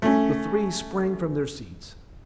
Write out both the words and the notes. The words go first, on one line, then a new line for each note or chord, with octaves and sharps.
The three sprang from their seats.
A3 C#4